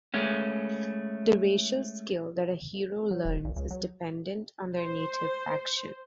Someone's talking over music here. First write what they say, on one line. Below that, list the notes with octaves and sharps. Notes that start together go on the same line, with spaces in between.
The racial skill that a hero learns is dependent on their native faction.
G#3 A3 C#4
F#3
D#1
A#1
C#2
F#3
C5